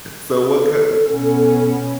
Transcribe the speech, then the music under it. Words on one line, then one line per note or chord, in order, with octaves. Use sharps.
So, what k w
A4
B2 B3 C#4